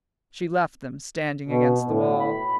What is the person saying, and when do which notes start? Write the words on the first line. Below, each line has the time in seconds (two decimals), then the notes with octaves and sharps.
She left them standing against the wall.
1.49 B2
1.88 A2
2.20 B5